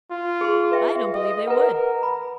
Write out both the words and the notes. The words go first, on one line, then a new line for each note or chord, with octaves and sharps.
'I don't believe they would.
F4
G#4 C6
B4 E5 G5
D#5
A#4 B4 F#5
B5